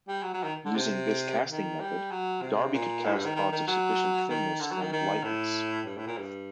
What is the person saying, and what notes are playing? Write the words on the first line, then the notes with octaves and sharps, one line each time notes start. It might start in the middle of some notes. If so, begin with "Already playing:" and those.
Using this casting method Darby could cast pots of sufficient thinness and lightness.
G3
F#3
F#3
D#3
D3
C3
D#3
G3
F#3
C3
A#2
A2
G2
D#3
D#3
D#3
F#3
D#3
D3
F#3
D#3
D#3
A2
G2
A2
A#2
G2